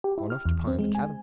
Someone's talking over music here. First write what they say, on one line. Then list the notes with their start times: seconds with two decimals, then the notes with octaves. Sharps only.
Gone off to Pine's cabin!
0.04 G4
0.18 E4
0.30 F6
0.45 E2
0.67 C4
0.79 G#3
0.95 G#5